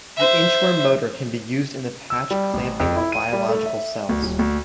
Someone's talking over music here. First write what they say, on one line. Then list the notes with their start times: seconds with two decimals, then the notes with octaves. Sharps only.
The inchworm motor can be used in the patch clamping of biological cells.
0.16 C5 E5
2.10 E6
2.31 G3
2.54 A1
2.80 F2
2.96 E4
3.12 D#7
3.33 G3
3.49 A3
3.66 E5
4.09 D2
4.22 D#1
4.39 D2